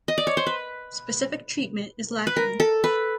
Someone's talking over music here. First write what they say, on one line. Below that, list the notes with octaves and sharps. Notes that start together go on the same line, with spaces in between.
Specific treatment is lacking.
D#5
D5
C#5
C5
B4
B4
A#4
A4
B4